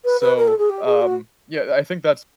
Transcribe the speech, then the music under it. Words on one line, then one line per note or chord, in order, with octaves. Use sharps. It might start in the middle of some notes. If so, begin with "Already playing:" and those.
So, um, yeah, I think that's
B4
B4
A#4
A4
G#4
G4
G#4
F#4